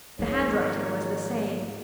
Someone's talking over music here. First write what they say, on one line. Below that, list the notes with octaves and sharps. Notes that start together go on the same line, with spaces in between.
The handwriting was the same!
G#2 D#3 F3 A#3 C#5